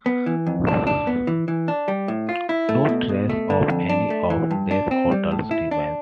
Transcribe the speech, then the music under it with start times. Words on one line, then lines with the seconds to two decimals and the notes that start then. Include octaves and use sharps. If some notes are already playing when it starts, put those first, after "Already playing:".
No trace of any of these hotels remains.
0.06 B3
0.26 E3
0.46 F2
0.67 D4
0.87 D4
1.07 B3
1.27 E3
1.48 E3
1.68 D4
1.88 G3
2.08 A2
2.29 F4
2.49 E4
2.69 A3
2.89 B2
3.09 B2
3.30 A3
3.50 D3
3.70 F2
3.89 D4
4.10 A3
4.30 E3
4.51 G2
4.71 D4
4.91 C4
5.12 G3
5.31 A2
5.51 E4
5.71 D4